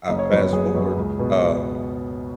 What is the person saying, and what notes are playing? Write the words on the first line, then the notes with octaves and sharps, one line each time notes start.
I fast forward, um,
F#1 D#5
C#5
F#2 F#3 B3 B4
C#5
F#1 G#4
F#2 F#3 B3
C#2
B2 B3